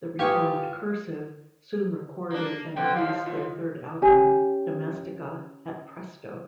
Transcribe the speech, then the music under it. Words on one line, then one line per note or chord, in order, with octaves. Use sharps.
The re-formed Cursive soon recorded and released their third album, "Domestica," at Presto!
F4 G4 B4 G5 G#5 C#6 D#6
A#3 D4
F2 B2 D3 G5
D#2 G#2 F3 F5
D#2 F4
C#4 G4 G#5